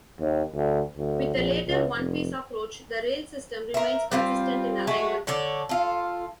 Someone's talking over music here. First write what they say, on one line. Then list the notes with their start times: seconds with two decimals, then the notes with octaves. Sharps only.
With the later one piece approach, the rail system remains consistent in alignment.
0.20 D#2
0.54 D2
0.96 D2
1.34 A#1
1.66 C#2
1.95 F1
3.74 A#4 E5
4.12 G3 C4 F4
4.87 G#3 A3 F#4 G#4
5.27 D3 A4 C#5 D5
5.69 F4 A4